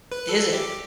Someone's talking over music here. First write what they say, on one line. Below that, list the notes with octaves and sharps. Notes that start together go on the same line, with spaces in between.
Is it?
B4
A4
G4